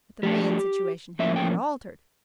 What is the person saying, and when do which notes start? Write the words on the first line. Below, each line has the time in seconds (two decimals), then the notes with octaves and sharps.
But the main situation had not altered.
0.23 F3 A3 D4 G4
1.19 A2 F3 A#3 C#4 E5
1.36 G5